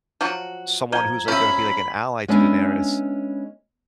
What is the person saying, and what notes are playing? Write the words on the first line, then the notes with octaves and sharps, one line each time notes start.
someone who's, like, gonna be, like, an ally to Daenerys,
F3 F#3 F#4
F3 A#5 G#6 G7
F3 C#4 E5 B5
G#3 B3 C#4 D4 E4